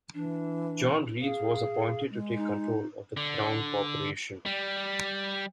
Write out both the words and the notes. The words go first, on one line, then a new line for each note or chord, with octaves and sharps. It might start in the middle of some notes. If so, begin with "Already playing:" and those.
John Reith was appointed to take control of the Crown corporation.
E3 D4
G#4 F5
G#3
D#4
D3
G3